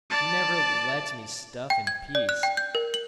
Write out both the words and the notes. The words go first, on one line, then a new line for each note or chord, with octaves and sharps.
She never lets me stuff in peace.
D5 A5
G5
G#6
D5
F#6
G5
G6
A#4
F#7